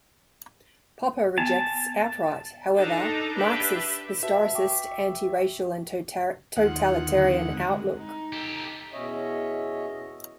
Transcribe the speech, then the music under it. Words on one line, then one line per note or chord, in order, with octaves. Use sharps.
Popper rejects outright, however, Marx's historicist, anti-rational, and totalitarian outlook.
B3 A5
D4 D#4 A4 A5 A#5
D4 G4 B4 E5
F#4 B4 E5 A5
G5 C#6 D6
D#2 F4 F#5 C6
D3 C4 E4
G#3
D#4
G4 A4
E2 B2 C#4 C#5 D#5 E5